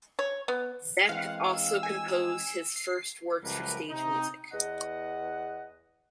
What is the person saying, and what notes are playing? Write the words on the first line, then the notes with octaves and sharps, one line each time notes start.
Zech also composed his first works for stage music.
C#5
B3
E3 G#3 C4 F5 F#5
E6
G#5
C7
C#2 F#2 F3 G3 A#4 B4
C3 D#4
E2 D#5 F#5